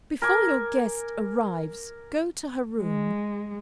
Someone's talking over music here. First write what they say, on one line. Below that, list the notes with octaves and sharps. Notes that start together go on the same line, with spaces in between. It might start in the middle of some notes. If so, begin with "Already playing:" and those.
Before your guest arrives, go to her room.
A#4 G#5 D6
G#3